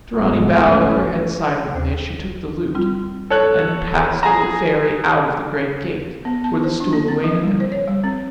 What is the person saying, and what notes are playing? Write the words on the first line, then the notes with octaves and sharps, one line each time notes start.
Dorani bowed her head silently as she took the lute, and passed with the fairy out of the great gate, where the stool awaited them.
F1 G#2 F#3 G#3 A3 B3
G1 C2 A3 C#4
D#2 C5
G3 C4 F4
A4 C#5 F#6
G#4 A#5
B3
A5
C5
D4
A#3
C4
F3
G3
C5
C#5
G3
C4